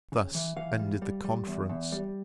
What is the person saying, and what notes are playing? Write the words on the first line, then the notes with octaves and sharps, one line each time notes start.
Thus ended the conference.
C#3
E3
E3 F5
G3
G3
G3
E2
E2
G3